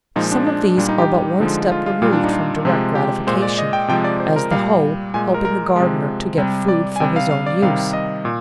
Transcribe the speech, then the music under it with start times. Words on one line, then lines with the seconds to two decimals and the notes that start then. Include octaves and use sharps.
Some of these are but one step removed from direct gratification, as the hoe helping the gardener to get food for his own use.
0.16 A#2 F3 G#3 D#4
0.31 D4
0.47 D4
0.77 A#2 G3 D4
0.89 D#4
0.98 G4
1.40 D3 F3 G#3 D#4
1.72 F4
1.86 F4
2.02 A#2 G3 F4
2.13 D4
2.23 D#4
2.33 F4
2.65 C3 F3 G#3
2.95 G4
3.27 A#2 G#3 C5
3.42 D5
3.58 D#5
3.73 G5
3.88 C3 F3 G#3 G5
4.04 D5
4.20 C5
4.36 A#4
4.51 A#2 G3 F5
5.14 A#2 G#3 G#5
5.34 A#4
5.45 A#4
5.76 C3 F3 G#3
6.38 C3 G3
6.68 D5
6.96 G#5
7.00 C3 G5
7.04 G3
7.16 F5
7.31 F5
7.46 D5
7.62 C3 D#3 G3 F5
7.93 D#5
8.25 A#2